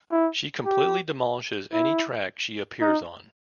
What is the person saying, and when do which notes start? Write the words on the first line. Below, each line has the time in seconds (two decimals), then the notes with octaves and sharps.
She completely demolishes any track she appears on.
0.12 E4
0.66 G4
1.73 E4
2.81 D#4